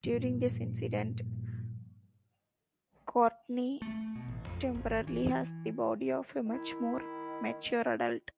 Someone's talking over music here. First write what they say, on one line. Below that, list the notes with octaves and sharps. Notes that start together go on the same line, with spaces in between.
During this incident, Courtney temporarily has the body of a much more mature adult.
G2 A#2 F3
A3
B2
A1
F2
G#1
E3
D#3 E4